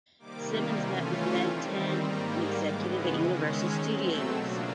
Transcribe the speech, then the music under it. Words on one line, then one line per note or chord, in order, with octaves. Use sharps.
Simmons met with Ned Tanen, an executive at Universal Studios.
C3 D#3 G3 A#3 D6
E3 A3 C#4 F4 G#5
D#3 G3 C4
G#2 D#3 G3 A#3 A#5
C#3 E3 G#3 B3 D6
D#3 G#3 C#4 D#6
E6
B2 F#3 A3 C4
E6
C#3 F#3 A#3 D4 F4